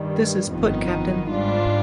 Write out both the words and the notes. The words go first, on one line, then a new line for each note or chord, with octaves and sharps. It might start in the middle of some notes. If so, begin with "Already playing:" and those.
This put Cpt.
Already playing: G2 D#3 G3
G1 F2 D#3 B3 D#4
G#2 G3 D4 F4